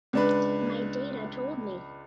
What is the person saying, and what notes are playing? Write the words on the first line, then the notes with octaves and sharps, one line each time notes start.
My data told me.
C#2 D4 B4